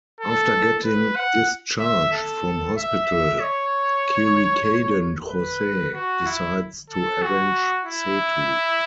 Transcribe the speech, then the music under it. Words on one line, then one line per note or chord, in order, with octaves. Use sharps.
After getting discharged from hospital, Keerikadan Jose decides to avenge Sethu.
A4
B4
F#5
E5
A4
E5
E5
C#5
B4
F#4
E4
A4
F#4
E4